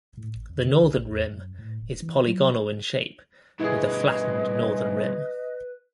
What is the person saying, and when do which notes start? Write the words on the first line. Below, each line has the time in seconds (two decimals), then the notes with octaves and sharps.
The northern rim is polygonal in shape, with a flattened northern rim.
0.17 A2
0.36 A1
0.49 F2
0.65 D3
0.82 C2
0.96 A1
1.10 E2
1.28 F#2
1.59 A2
1.82 D#1
2.02 E3
2.27 F#3
3.60 G2 B2 E4 G#4 B4 D#5